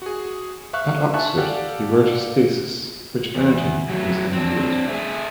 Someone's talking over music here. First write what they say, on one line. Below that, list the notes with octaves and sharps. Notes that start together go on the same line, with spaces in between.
At Oxford, he wrote his thesis which earned him his M. Litt.
F#4 G#4
E5 F5 C#6 F#6
E5 G#5 A5 C#6 F#6
G4 A4 D5 F5 F#5
E2
F#3 A3
C4 D4
A3 G#4